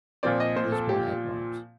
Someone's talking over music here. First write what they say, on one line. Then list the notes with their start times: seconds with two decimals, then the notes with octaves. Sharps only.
He was born at Reims.
0.23 A#2 F3 C4 D5
0.40 D#5
0.56 C5
0.72 A4
0.89 G4